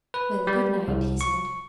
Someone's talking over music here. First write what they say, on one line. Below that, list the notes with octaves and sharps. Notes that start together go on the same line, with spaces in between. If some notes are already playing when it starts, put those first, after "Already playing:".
"Well, good night," he said.
B4
G3
C2
C#6